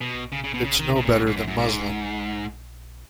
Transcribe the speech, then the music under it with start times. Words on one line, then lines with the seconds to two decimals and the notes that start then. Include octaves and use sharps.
It’s no better than muslin.
0.01 B2
0.32 C#3
0.44 C#3
0.54 B2
0.64 C#3
0.80 D#3
0.96 C#3
1.05 A#2
1.11 G#2
1.27 G#2
1.36 F#2
1.48 F#2
1.58 G#2